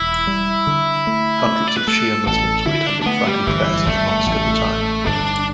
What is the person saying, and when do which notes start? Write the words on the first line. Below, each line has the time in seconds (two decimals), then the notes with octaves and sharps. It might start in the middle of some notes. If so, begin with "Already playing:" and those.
Hundreds of Shia Muslims were attending Friday prayers in the mosque at the time.
Already playing: E1 E4
0.27 G3
0.67 D3
1.07 A3
1.47 A3
1.67 D5
1.77 B4
1.87 A3 A4
2.27 A1 A4
2.66 D3 E4
2.87 D4
3.02 D4
3.06 A3 B3
3.27 G3
3.47 G1 E3
3.86 G1 A3
4.26 A1
4.66 A2
5.05 G1 D4